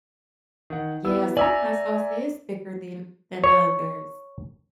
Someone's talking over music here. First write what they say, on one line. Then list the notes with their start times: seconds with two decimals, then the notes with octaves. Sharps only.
Yeah, some hot sauce is thicker than than others.
0.70 D#3 F#5
1.05 B3 E4 E6
1.37 D5 E5 G#5 A#5 E6
3.44 C#5